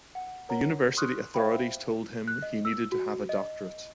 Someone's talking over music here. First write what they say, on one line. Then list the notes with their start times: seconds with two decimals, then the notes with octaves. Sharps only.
The university authorities told him he needed to have a doctorate.
0.15 F#5
0.49 A#4 C#5 F#5 A#5
0.97 C6 C#6 D#6 F6 F#6
1.34 C5 D5 E5 F5 G5 B5
2.28 F#6
2.42 D#5
2.65 E6
2.92 F#4
3.29 D#5